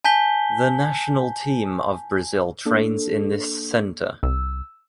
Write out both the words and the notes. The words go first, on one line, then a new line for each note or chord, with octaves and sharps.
The national team of Brazil trains in this center.
G#5 A5 G6 B6 G7
A#3 D4 A4
C2 E6